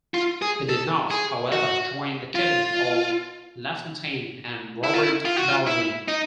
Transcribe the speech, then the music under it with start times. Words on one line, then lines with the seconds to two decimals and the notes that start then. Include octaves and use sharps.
He did not, however, join the cabinet of Lafontaine and Robert Baldwin.
0.14 F4
0.42 G#4
0.69 A4
1.11 G#4
1.52 F#4
2.35 F4
4.84 E4
4.94 F4
5.03 E4
5.25 F4
5.36 F#4
5.48 F4
5.67 E4
6.08 D#4